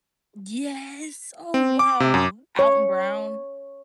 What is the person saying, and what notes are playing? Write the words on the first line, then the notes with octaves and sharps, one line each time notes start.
Yes! Oh wow, Alton Brown.
C4
D6
C3
F#2
C#5